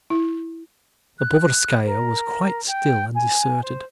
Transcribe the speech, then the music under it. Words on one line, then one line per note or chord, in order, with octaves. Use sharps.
The Povarskaya was quite still and deserted.
E4
F#6
A#4
G5
G#5
C5